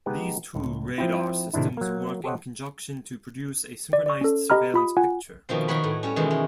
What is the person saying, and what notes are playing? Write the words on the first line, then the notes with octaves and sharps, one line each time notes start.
These two radar systems work in conjunction to produce a synchronized surveillance picture.
G#3 B3 D#4 G4 B4
C#2 A2
F3 C4 E4
A2 C3 D#3 D4 E4
F#3 A#3
G4 A4 C5 C#5 D#5 F#5
D5
D5 C#6
C#4 A4
G4 D#5 A#5 B5 F6
F4 B5 D#6
F4 F#5 G#5
B2 D#3 F3 C4
D#3 F#4 A#4 C#5 B5
A2
G3 C#4
B2 D#3 E3 G#3
G#3